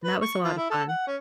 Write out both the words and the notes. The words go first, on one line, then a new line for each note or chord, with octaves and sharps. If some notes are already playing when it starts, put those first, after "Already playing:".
and that was a lot of fun.
B4
C#6
F3
E4
A4
F#5
C#4